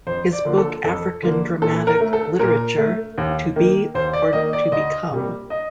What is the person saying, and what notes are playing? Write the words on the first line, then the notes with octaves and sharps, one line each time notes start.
His book African Dramatic Literature: To Be or to Become?
F2 C5
D5
D3 F3 A#3
A4
F2 A4
D3 F3 A#3
A#2 A4
A#4
A3
A4
A#2 A#4
A3
D#2
D#3 A#3
D#2 C5
D5
D#3 A#3 D#5
D5
D2 D#5
C3 G3 A#3
D#5